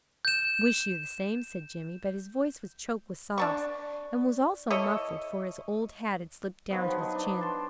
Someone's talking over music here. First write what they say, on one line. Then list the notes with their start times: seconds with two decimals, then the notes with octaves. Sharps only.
"Wish you the same," said Jimmy, but his voice was choked with sobs, and was also muffled, for his old hat had slipped down to his chin.
0.25 G6 E7
3.38 D4 A5 C#6
4.70 E4 A4 C#5 D#5
6.70 D#3 F3 B3
6.84 F#3 F#4 B4
6.98 D#4
7.15 D4
7.40 G5 A5 C6